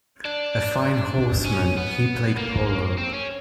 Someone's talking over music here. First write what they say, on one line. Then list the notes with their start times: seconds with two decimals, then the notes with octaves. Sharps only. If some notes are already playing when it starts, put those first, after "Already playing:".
A fine horseman, he played polo.
0.25 D4
1.46 C#4
1.77 B3
2.38 A#3
2.98 C4
3.14 C#4